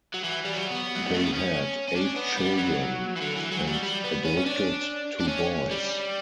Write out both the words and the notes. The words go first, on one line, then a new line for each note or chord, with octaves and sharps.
They had eight children and adopted two boys.
F#3
E3
G3
F#3
B3
F#3
G3
A3
B3
C#4
C#4
D4
B3
G3
F#3
E3
D3
E3
F#3
G3
G3
B3
C#4
C#4
D4
D4
C#4
G3